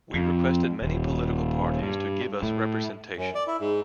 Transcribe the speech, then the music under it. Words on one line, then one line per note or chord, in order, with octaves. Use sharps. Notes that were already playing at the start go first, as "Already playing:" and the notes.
We requested many political parties to give us representation.
F2
D#1
G2
A2
F#2
D5
E4
G#2